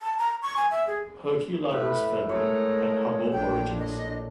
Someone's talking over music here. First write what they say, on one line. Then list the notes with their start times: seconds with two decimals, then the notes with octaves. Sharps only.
Herculano's family had humble origins.
0.02 A5
0.18 A#5
0.42 C#6
0.57 G#5
0.71 E5
0.87 G#4
1.71 A2 B4
2.29 G#3 A3 A#4 C#5
3.32 A#1 D4 G5
3.78 D#5